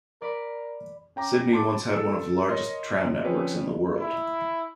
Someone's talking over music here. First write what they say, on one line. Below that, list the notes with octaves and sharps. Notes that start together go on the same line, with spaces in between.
Sydney once had one of the largest tram networks in the world.
A#4 D5 B5
C#4 G5 A#5 D6
A5 C6 D6
A4 E6 C#7 D7
A#4 C#5 D#5 C6
F3 C4 C#4 B4 C#5
E4